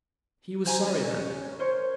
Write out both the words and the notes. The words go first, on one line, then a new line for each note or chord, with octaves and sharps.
He was sorry then.
C5 G#5 A#5
C#4
C#4
A#4 C5 C#5